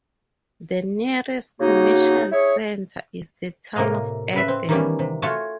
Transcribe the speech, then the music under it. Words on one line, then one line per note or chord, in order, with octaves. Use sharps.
The nearest commercial centre is the town of Eden.
C#3 A#3 D#4 F#4
E4 G#4 C#5
A2 C3 A#3 D#5 F5
C#3 B4 E5
C4
D#3 E3 G3 A#3 B3 C#4
C3
A3 F4 F#4 C#5 G#5 A5